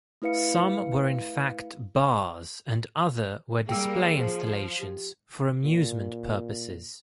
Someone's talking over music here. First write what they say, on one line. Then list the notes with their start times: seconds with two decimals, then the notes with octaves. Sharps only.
Some were in fact bars and other were display installations for amusement purposes.
0.22 A3 E4 B4 F5 C#7
3.69 G3 A#3 G#4 G5 E6
4.17 F3 C5
4.80 G4
5.64 A#2